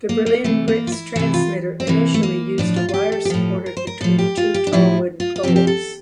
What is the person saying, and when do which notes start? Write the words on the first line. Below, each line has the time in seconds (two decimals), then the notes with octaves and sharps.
The Berlin-Britz transmitter initially used a wire supported between two tall wooden poles.
0.09 A#3
0.26 A#3
0.44 C3 E3 A3
0.68 A#3
0.87 F4
0.92 E4
1.16 C3 E3 E4
1.34 F4
1.80 C4
1.87 C3 E3 A#3
2.14 A3
2.23 A#3
2.58 A2 F3 D4
2.76 F4
2.89 F4
2.94 G4
3.12 A4
3.25 G4
3.30 A2 F3 A4
3.66 A#4
3.77 C5
3.87 A#4
4.01 A2 F3 A4
4.18 G4
4.37 F4
4.54 G4
4.67 D4
4.73 A2 F3 E4
5.20 F4
5.36 F4
5.43 C3 F3 G4
5.56 G4
5.67 A4